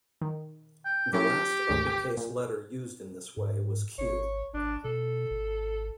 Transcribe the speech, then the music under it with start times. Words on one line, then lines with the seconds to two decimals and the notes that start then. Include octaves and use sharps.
The last upper-case letter used in this way was "Q".
0.21 D#3
0.85 G5
1.13 F#3 C#4 E4 G4
1.69 G#1 D2 D#3
1.87 G5
2.17 A#2
3.37 G#2
3.98 G#1 C#5
4.54 G#1 D4
4.85 B2 A4
5.31 G#1